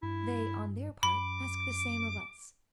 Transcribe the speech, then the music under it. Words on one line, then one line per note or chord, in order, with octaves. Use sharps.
They, on their part, ask the same of us.
G2 E4
F#2 B5 D6